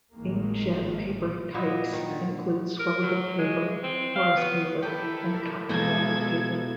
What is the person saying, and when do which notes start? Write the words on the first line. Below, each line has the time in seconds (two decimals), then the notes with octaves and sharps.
Ink-jet paper types include swellable paper, porous paper, and cotton rag paper.
0.12 G#1 A2 D#3 G#3 A#3
1.54 A#2 B3 E4 D#5
1.93 D#3
2.09 D3
2.80 A#4
3.02 F#3
3.39 G#3
3.84 C4
4.16 F5
4.37 B3
4.82 E4 G4 A4 A#4
5.69 B2 G#3 A#3 A4 G#6